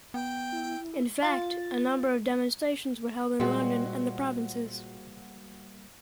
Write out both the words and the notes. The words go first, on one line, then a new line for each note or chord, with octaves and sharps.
In fact, a number of demonstrations were held in London and the provinces.
B3 G5
E4
F4 A6
A#2 G3 G#3 A#3 C4 F#4 D#5